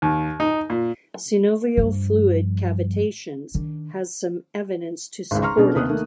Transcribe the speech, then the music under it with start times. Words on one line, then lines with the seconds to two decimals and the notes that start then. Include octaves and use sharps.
Synovial fluid cavitation has some evidence to support it.
0.02 D#2
0.40 D#4
0.70 A#2
1.77 G2 F3
3.54 D#3 D4
5.31 G#1 C#2
5.42 A#5 C6 C#6 F6
5.57 B2 C#4 D4 G#4 A4
5.74 D#2 C3 B3 D#6 F#6
5.89 D#3 A3 A#3